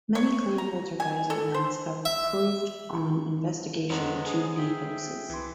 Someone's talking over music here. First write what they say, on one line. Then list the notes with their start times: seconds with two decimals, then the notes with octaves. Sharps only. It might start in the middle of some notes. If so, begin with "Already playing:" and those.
Many claimed poltergeist events have proved on investigation to be hoaxes.
0.15 C#5
0.58 A#5
1.00 G#5
1.30 A4
1.54 C5
2.05 E5
3.90 F2 G#3 B3 C4 C5 C#5 A#5
4.26 G#4
4.58 E5 G5
5.30 C2 E3 C6